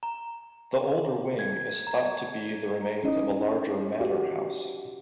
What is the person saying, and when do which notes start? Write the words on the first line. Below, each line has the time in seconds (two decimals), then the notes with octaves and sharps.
The older wing is thought to be the remains of a larger manor house.
0.03 A#5
1.39 G#6
1.87 A#5
3.04 C#4 D#4 E4 D#5
4.01 F#4 G4